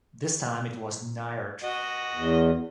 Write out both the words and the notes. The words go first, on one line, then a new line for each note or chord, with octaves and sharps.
This time it was Niort.
F#4 D#5
E2